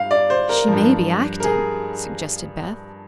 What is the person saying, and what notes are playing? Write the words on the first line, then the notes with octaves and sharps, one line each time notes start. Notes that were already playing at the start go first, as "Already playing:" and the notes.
"She may be acting," suggested Beth.
Already playing: G2 F5
D5
C5
A#4
G2 F3
A#4
G#4